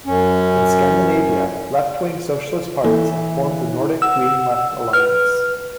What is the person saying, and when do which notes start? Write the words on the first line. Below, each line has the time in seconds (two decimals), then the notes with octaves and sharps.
In Scandinavia, left-wing socialist parties have formed the Nordic Green Left Alliance.
0.06 F#2 C#4
2.84 E3 A#3 A4
4.02 F#5 E6
4.93 B4 F6